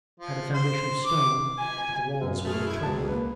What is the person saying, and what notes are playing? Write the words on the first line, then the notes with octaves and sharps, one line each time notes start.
It had a foundation of stone, but the walls were of turf.
F3
C5
D6
G#5
F#2
A3 G#4 F6
E4 G#6
E1 C#2 G#4 A5
A#3 B4